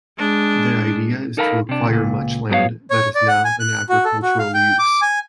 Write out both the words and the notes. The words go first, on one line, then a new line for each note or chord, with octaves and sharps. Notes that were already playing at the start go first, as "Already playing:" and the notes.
The idea is to acquire much land that is now in agricultural use.
G#3 D4
D#4 A4 A#4 F5 G#5 B5
C3 D4
C#2 A#2
G2 F#3 B3 A#4 C#5 F5
C#5
D5
F#5
G#5
F#6
F#4
A4
F#4
F5
G5
D6
G#5